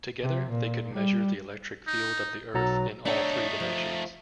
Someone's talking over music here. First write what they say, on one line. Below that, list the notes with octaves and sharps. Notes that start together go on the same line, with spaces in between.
Together they could measure the electric field of the earth in all three dimensions.
C3
A#2
G3
D#4
B1 F#3 A4 A#5
A3 D4 D#4 C#5 E5
F3